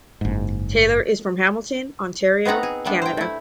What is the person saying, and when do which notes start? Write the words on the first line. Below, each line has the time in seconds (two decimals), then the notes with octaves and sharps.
Taylor is from Hamilton, Ontario, Canada.
0.21 F#1 G#2
2.45 B3 C4 D#4 F#5 A#5
2.63 G#4
2.85 G3 A3 B3 D4 A4
3.02 C5 G5
3.17 A3 E4